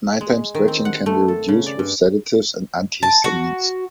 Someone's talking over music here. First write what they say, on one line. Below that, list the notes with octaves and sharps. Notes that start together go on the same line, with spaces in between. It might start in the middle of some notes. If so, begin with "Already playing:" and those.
Nighttime scratching can be reduced with sedatives and antihistamines.
G#3
D#3
C4
F#5
A3
A4
C#3
D5
G2
A5
F#4